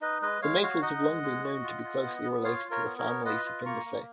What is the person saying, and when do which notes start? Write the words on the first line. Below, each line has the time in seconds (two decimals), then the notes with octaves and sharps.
The maples have long been known to be closely related to the family Sapindaceae.
0.01 D#4 B4 D#5
0.22 G#3 B4 D#5
0.42 G#3 C#5 F5
0.62 F#4 C#5 F5
0.82 D#4 D#5 F#5
1.03 G#3
1.23 G#3
1.43 F#4
1.64 F4
1.84 F4
2.03 B3
2.24 B3
2.44 F4 C#5 F5
2.65 F4
2.71 A#4 C#5
2.85 B3
2.98 A#4 C#5
3.05 B3
3.25 F4 B4 D#5
3.45 F4
3.66 A#3 A#5 C#6
3.85 A#3